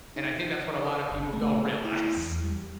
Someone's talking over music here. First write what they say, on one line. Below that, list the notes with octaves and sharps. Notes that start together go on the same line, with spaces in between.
and I think that's what a lotta people don't realize,
D#4
D#6
G1
A3
A3
E4
E2
G3